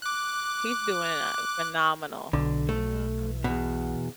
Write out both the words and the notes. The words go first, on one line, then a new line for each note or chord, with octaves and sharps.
He's doing, uh, phenomenal. Mm, mm.
D6 F#6
B1 D3
A3
E2 B2